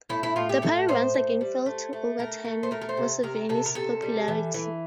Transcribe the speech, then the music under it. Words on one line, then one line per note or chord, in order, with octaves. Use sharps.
The party once again failed to overturn Museveni's popularity.
A2 E4
E4
A2 F4
G4
A2 A4
A2 C5
A2
G3
A3
A3
A3 A#4
A3
C5
A3 A#4
A#4
C5
C3
C3 A#4
C3 A4
A#4
C3 A4
G3
E3
E3